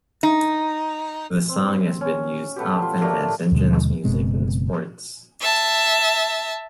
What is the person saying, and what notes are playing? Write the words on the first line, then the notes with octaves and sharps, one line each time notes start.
The song has been used often as entrance music in sports.
D#4
C4
C#4
A3 B3 G4
F4
A3 A#3 D4 G4
D#2 B2 D3 G#3
F#1 B2 G#3 C4
E5 A5